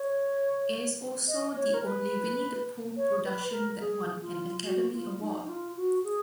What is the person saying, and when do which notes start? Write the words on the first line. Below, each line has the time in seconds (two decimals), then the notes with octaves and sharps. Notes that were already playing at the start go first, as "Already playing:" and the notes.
It is also the only Winnie the Pooh production that won an Academy Award.
Already playing: C#5
1.28 D#5
1.56 C#5
1.74 A#4
1.84 B4
2.97 C#5
3.24 B4
3.51 A#4
3.80 G#4
4.22 F4
4.64 F#4
4.93 F4
5.20 D#4
5.42 D#4
5.49 F4
5.76 F#4
6.04 G#4